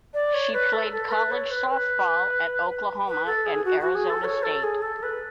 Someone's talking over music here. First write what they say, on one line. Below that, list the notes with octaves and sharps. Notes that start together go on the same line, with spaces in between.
She played college softball at Oklahoma and Arizona State.
D5
C#5
B4
A4
A4
B4
C#5
B4
B4
B4
A4
G#4
F#4
F#4
G#4
A4
C#5
A4
G#4
A4
B4